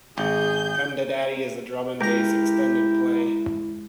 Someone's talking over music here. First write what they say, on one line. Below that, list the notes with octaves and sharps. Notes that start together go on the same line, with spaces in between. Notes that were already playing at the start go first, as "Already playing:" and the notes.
"Come to Daddy" is a drum and bass extended play.
G#1 G#4 G6
C#2 E4 G4 A#4 A#5